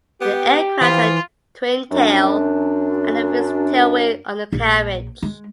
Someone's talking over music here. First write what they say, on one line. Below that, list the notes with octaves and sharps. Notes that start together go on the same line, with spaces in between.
The aircraft had a twin-tail and a fixed tailwheel undercarriage.
B3 G4
E3 F3 F4
F#2 D4
A#1
G#3